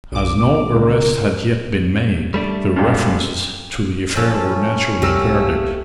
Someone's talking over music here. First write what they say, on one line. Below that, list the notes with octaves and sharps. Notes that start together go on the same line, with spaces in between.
As no arrest had yet been made the references to the affair were naturally guarded.
B1 D6
C#2 A#4
G3 A3 D4
D#1 F#2
F3 C#4 A4
C2 A3 A#3 G4 E6